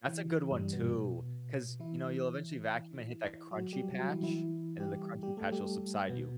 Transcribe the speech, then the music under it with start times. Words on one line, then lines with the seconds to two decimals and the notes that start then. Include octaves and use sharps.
That's a good one too, 'cause, you know, you'll eventually vacuum and hit that crunchy patch, and then the crunchy patch will subside you.
0.08 E3
0.51 G2 G3
0.73 B2 B3
1.80 E3 E4
3.51 F#3 F#4
3.72 G3 G4
3.94 F#3 F#4
4.08 E3 E4
4.23 E3 E4
4.80 G3 G4
5.23 G3 G4
5.37 A3 A4
5.52 G3 G4
6.09 B2 B3